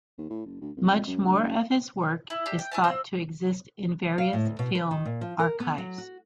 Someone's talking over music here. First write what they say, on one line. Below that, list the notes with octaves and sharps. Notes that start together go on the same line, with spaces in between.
Much more of his work is thought to exist in various film archives.
D#2
A2
F#1
D2
C2
F2
F#2
D2
F#1
E4
D4 G4
G5
E4 G#5 A5
C4 C6 E6
F5
A2
D2
B2
B4
D#3
A#2
F3
A#4
B3
F#3
F#4